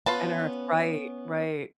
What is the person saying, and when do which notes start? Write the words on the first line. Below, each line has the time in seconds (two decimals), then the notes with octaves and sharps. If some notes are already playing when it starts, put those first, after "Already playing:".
And Earth, right, right.
0.06 B3 C#4 F4 B4 A5